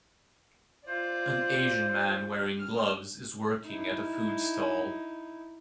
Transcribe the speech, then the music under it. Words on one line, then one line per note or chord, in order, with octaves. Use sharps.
An Asian man wearing gloves is working at a food stall.
F4 C5 D5
F6
D#4 E4